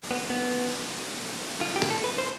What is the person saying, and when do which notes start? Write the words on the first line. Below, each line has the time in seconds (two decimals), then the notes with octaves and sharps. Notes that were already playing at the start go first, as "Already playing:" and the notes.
Please wait a moment while I am investigating the issue.
0.11 B3
0.30 B3
1.61 F4
1.76 G4
1.90 A4
2.04 B4
2.18 C5